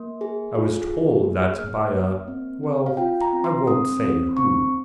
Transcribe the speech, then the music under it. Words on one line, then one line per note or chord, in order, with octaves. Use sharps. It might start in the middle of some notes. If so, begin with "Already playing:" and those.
I was told that by a--well, I won't say who.
Already playing: A#3
G#4
F4
G#4
A#3
A#3 F6
A#3
C4
C4
F5
F4 G5
A#5
C4
C6
C4 D#6
C4
C4 C#6